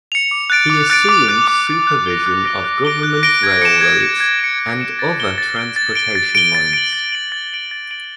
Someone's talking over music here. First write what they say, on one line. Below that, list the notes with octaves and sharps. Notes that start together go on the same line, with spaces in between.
He assumed supervision of government railroads and other transportation lines.
C#7 F7
D6
F#6 A6 D7
D6
F#6 A6 D7
D6
F#6 A6 D7
D6
F#6 A6 D7
F#6
A#6 D7 G7
F#6
A#6 D7 G7
F#6
A#6 D7 G7
F#6
A#6 D7 G7
G#6
C#7 E7
G#6
C#7 E7
G#6
C#7 E7
G#6
C#7 E7
A6
D7 G7
A6
D7 G7
A6
D7 G7
A6
D7 G7
A6
D7 F#7
A6
D7 F#7
A6
D7 F#7
A6
D7 F#7